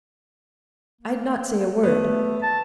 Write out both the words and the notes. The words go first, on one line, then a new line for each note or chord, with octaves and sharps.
I'd not say a word.
A#3
A3 B3
A5